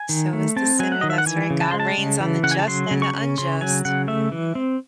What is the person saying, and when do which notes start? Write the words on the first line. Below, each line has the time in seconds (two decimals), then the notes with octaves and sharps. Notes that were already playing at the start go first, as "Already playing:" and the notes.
So is the sinner, that's right, God reigns on the just and the unjust, mhm.
Already playing: G#5
0.09 D#3
0.33 A3
0.56 C4 A5
0.79 F#3 G#5
0.92 F#5
1.01 D#3 D#5
1.10 E5
1.18 F#5
1.26 E3 G#5
1.50 C#3
1.61 A5
1.71 G#3 C6
1.80 A5
1.98 C#3
2.20 E3
2.43 C#3 F#5
2.51 G#5
2.59 A5
2.67 F#3 C6
2.91 C#3
3.02 C#6
3.14 C#4
3.38 C#3 C6
3.61 F#3 G#5
3.85 C#3 F#5
4.08 A3 E5
4.32 E3
4.55 C4